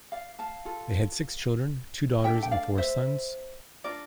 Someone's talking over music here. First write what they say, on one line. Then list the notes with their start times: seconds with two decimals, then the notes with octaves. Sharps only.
They had six children: two daughters and four sons.
0.12 D5 F5
0.39 F5 A5
0.65 F4 A4
2.24 D4 A4 E5 G5
2.42 G5
2.51 D5 F5
2.78 C5 E5
3.84 D4 F4 A#4 D5